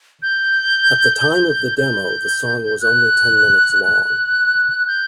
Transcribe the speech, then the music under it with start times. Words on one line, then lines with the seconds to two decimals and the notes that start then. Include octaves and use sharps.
At the time of the demo, the song was only ten minutes long.
0.22 G6
1.78 G6
2.81 F#6
3.84 F#6
4.87 G6